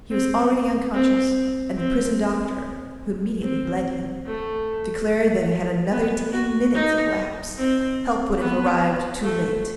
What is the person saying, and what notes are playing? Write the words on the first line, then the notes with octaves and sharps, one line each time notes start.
He was already unconscious, and the prison doctor, who immediately bled him, declared that had another ten minutes elapsed, help would have arrived too late.
C4
C4
C4
C4
A3
B3
F#4
D#4
C4
B3
A3